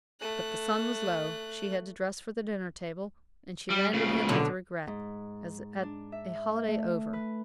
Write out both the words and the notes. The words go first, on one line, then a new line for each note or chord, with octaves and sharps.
But the sun was low, she had to dress for the dinner-table, and she landed him with regret, as at a holiday over.
A3 F#6
G3
A#2 C#3
B2 D3 F#3
G#2
D4
E5
A3
B4